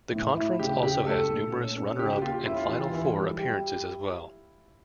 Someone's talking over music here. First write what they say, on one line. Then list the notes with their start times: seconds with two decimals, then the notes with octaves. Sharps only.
The conference also has numerous runner-up and final four appearances as well.
0.13 A2
0.36 E4
0.59 C#3 G4
0.83 C#3 G4
1.06 A3 A4
1.30 A#2
1.53 C#4
1.76 C#4
1.98 C#3 G4
2.13 G4
2.22 A#3 F4
2.45 C#4 E4
2.56 F4
2.68 E3 G4
2.80 F4
2.91 E3 E4
3.15 G3
3.38 G4